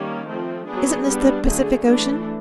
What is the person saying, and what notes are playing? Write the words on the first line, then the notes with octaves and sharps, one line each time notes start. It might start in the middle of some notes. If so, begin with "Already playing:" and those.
"Isn't this the Pacific Ocean?"
Already playing: D#3 G3 A#3 C#4
F3 A3 C4
F#3 B3 D4 G#4
G3 B3 D4
D3 F#3 A3 G#4
E3 A3 D4